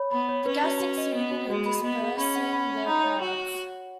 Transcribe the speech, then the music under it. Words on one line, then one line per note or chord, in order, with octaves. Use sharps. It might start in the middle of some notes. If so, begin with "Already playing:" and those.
The gas succeeded in dispersing the crowds.
Already playing: C#5 B5
B3 B5
C#5
C#4 B4
F#4
F#4
D#5
B3 D#5
F#4
G#3 F#4
B5
B3 D#5
G#4
C#4 B5
F#5
B5
C#5
D#4 B5
C#5
F#4 F#5